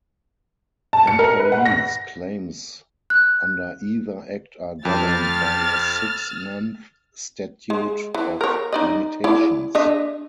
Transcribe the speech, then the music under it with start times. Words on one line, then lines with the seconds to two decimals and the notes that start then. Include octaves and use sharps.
Employees' claims under either Act are governed by a six-month statute of limitations.
0.93 A5
1.07 C#7
1.19 A#4
1.39 B4
1.52 F#5
1.66 A#6
3.10 F#6
4.85 F2 F6 A6
7.70 G#3
8.14 E3
8.41 A#4 C#5
8.72 D#4 D5 D#5
9.24 E4 D5
9.75 D4 D#5 E5